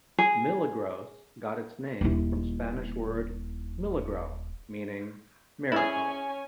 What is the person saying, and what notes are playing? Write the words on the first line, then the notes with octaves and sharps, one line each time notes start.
Milagros got its name from Spanish word "Milagro" meaning miracle.
G#4
D#1 E4
C#4 E4 G#4 G#5